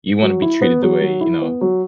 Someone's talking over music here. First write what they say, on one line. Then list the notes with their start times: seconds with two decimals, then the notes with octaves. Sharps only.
you wanna be treated the way, you know,
0.22 F#3
0.42 E4
0.62 B3
0.82 F#3
1.01 F#3
1.21 E4
1.42 B3
1.61 F#3